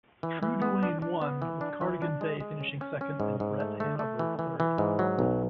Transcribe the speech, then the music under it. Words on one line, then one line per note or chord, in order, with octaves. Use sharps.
True Duane won with Cardigan Bay finishing second and Bret Hanover third.
E3
E3
B3
D4
D4
B3
E3
D4
E3
D4
G#3
G#3
C#4
C#4
C#4
G#2
G#2
A3
A3
A3
E3
E3
E3
G#2
F#3
B1